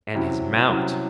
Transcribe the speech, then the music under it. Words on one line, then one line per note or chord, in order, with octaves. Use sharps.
And his mount!
C2 C3 F#3 C#4 E4
C2 C3 F#3 C#4 E4